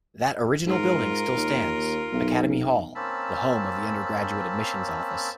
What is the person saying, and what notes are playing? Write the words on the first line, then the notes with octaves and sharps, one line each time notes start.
That original building still stands-Academy Hall-the home of the undergraduate admissions office.
G#2 F4 A#4
D#2
B1
A#3 C4 C#4 A5 B5 E6